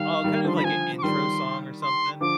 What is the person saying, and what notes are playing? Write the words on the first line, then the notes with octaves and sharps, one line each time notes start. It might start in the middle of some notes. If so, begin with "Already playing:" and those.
Oh, kind of like an intro song or something?
Already playing: D#3 G3 F5
D#3 G3
D3 F3 C6
B5
D3 F3 G#5
D6
D#3 G3 C6
C6
D3 F3 D6